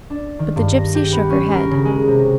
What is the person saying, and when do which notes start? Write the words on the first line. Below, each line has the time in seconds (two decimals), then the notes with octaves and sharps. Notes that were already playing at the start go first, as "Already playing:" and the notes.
But the gipsy shook her head.
0.10 D4
0.39 D#3
0.56 G2
0.73 A#6
0.95 G4
1.12 B3
1.30 C#4
1.54 A#4
1.71 C#3
1.85 G#3
2.08 C3